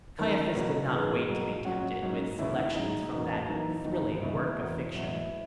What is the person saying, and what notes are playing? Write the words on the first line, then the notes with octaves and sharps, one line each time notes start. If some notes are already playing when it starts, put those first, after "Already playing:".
Caiaphas did not wait to be tempted with selections from that thrilling work of fiction.
D#2 D#3 F#3 C#4 A#4
C#2 B2 F#3 A#3 C#4
G#2 E3 B3 G#4
B2 F#3 A#3
A#2 F#3 C#4 F#4
G#2 F#3 C#4
D#2 C#3 G#3 C#4 E4
F#2 D#3 G#3 D#4
E2 B2 A#3 C#4
F#2 E3 A#3 D#4
E2 D#3 F#3 D#4
D#2 C#3 E3 G#3 E4
E2 B2 A#3 C#4
E2 B2 F#3 E4